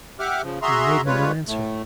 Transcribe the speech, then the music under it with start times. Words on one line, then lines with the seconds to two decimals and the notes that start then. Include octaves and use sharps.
She made me no answer.
0.20 G4 E5 F#5 D6 F6
0.42 C#3 F3
0.62 F#4 G#4 E5 A#5 C6
1.06 G3 G#3 F4 B4 C#5
1.47 A2 A3